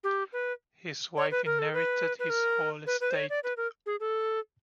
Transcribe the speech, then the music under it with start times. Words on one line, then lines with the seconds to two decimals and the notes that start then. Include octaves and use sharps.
His wife inherited his whole estate.
0.04 G4
0.33 B4
1.17 C#5
1.31 B4
1.46 A#4
1.59 A4
1.73 B4
2.19 B4
2.30 A#4
2.87 B4
3.01 B4
3.11 C5
3.16 C#5
3.30 D5
3.44 B4
3.57 A#4
3.86 G#4
4.00 A4